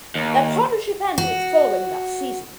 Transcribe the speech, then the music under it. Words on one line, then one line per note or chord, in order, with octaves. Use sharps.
Their partnership ended following that season.
D#2
F#4